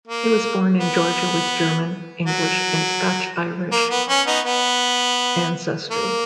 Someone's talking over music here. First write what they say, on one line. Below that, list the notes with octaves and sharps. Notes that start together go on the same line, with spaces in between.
He was born in Georgia with German, English and Scotch-Irish ancestry.
A#3
B3
F#3
A#3
B3
C#4
B3 D#4
B3
A#3